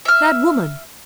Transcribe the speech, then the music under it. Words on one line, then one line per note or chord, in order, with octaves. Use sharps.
That woman!
E5 F6